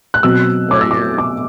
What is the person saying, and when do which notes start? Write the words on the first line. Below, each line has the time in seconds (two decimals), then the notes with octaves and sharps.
where you're
0.14 F#6
0.23 B2 F#3 C4 E6
0.71 D6
0.81 E6
0.91 D6
1.18 D6